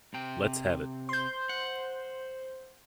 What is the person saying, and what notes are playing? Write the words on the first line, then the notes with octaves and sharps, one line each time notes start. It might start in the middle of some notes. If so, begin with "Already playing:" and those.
Let's have it.
C3 G5
C5 C6 G6
F#5